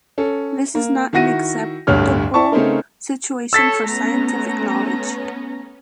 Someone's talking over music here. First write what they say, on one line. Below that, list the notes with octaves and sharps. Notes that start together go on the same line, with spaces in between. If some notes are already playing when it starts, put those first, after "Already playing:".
This is not an acceptable situation for scientific knowledge.
C#4 A4
A#3
D#3 E4 F#4 A#6 D#7
D1 D2 G2 C#5 F6
E4 D5 A5 C#6
C#3 A3 C4 C#4 D#4 A#4
A4 C#5 E6 A6 B6
A3 B3 C#4 A#5